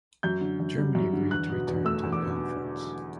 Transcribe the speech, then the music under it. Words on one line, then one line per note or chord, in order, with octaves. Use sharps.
Germany agreed to return to the conference.
F#2 G6
D3
F#2
G3
F#2
D3
E2 F#6
B2
E2
A3 E6
E2
D6
B2